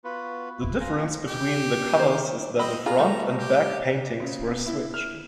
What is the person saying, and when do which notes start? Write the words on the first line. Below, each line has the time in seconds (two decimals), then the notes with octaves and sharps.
The difference between the covers is that the front and back paintings were switched.
0.04 B3 F4 F#4 B4
0.61 E4
0.80 F4 G#5 A#5
1.28 G4
1.98 D#3 C5
2.59 C4 D#5 B5
2.86 F4 G#4 A#5
2.99 G3 A3
3.39 G4
4.20 C#3
4.47 B3
4.66 E4
4.94 F6